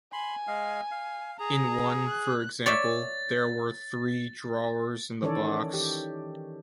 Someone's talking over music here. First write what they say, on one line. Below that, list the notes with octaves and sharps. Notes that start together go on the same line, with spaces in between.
In one, for example, there were three drawers in the box.
G#5 B5 C6
G#3 F5
F5
G#4 A#5
F#6
C#5 D5 E5 A6
D#3 E3 C#4 A4 C#5 D5
G4